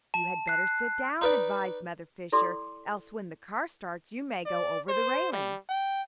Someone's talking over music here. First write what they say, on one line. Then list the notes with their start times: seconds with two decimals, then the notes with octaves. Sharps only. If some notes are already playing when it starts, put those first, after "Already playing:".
"You had better sit down," advised Mother Fisher, "else when the car starts you may go over the railing."
0.14 A5
0.48 F#6 C7
1.21 D#4 B4 D5
2.32 E4 A4 D5 C6 D6
4.46 D5
4.89 C5
5.32 G3
5.69 G5